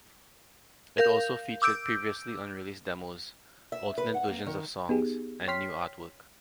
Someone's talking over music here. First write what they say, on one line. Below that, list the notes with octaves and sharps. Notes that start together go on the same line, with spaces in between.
It also featured previously unreleased demos, alternate versions of songs, and new artwork.
A#4 F5 G6
D6 E6 G6 D7
E5
B4
F#5
A#3
D#3
B3 D#4 G4 G#4
C#5 G5 C6 F6 B6 C7